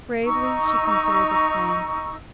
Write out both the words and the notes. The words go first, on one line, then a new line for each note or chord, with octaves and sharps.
Gravely she considered this claim.
D#4 A#5 C#6 E6